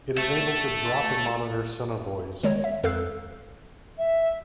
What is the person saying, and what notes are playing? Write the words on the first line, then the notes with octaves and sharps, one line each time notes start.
It is able to drop and monitor sonobuoys.
A4 E5
D#3 G#3 C#5
E5
F2 A4 F5 E6 F#6
E5